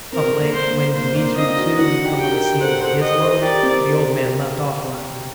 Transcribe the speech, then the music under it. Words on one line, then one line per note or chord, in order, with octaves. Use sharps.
Of late, when Dmitri too had come on the scene with his love, the old man left off laughing.
C4 A#4
A#3
C5
A#3
A#3 C5
A#3 D4
C4 D#4 D#5
D4 F#4
D4 F#4 F#5
D#4 G4
G5
G4 A#4
A4 C5 F#5
A4 C5
D#5
A4 C5
G4 A#4 D5
C4